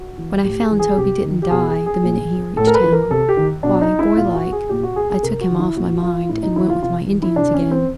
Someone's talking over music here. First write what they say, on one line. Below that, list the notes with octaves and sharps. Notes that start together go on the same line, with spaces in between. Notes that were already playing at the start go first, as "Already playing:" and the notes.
When I found Toby didn't die the minute he reached town, why, boylike, I took him off my mind and went with my Indians again.
Already playing: F#4
E3
A2 G4
G#4
E3
G#4
C3 G4
D#3
G4
B2 G#4
G#4
G#4
A#2
A2 A4
A#4
B4
E3
A#4
C3 A4
G4
D#3
B2 D4
D#4
E4
A#2 F4
F#4
G#4
A#2 G4
F#4
G#4
G#4
C3 A#4
F#4
D#3
E4
A#2 F#4
F4
A2 E4
D#4
E3 E4
F4
C3 F4
E3
E4
C3 D4
C#4
E3
C4